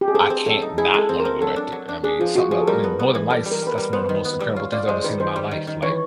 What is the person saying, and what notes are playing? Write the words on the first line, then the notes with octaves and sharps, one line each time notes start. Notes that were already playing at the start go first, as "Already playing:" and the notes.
I can not want to go back there, I mean, something about, I mean, Northern Lights, that's one of the most incredible things I've ever seen in my life, like,
G4
G#4
C4 A4
C4
F#3 A4
D#4
E4 G#4
G#3 A4
C4
A#4
C4
F#3 A4
D4
F#3
D4
D4 G#4
F3 F4
F3 F#4
F3 G#4
A4
G3 A#4
B3
B3
E3
G3 A4
G3
A#4
G3 B4
A#4
G3
B3 C5
D#3
B3
G3
F4 C#5
F4 D5
G#3 C5
D#3 B4
D#3 C5
G3
D#3
D#3
E3 C#5